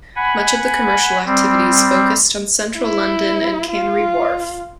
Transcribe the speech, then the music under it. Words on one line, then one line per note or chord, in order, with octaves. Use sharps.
Much of the commercial activity is focused on Central London and Canary Wharf.
F#5 G#5 B5
G3 C4
E4
F4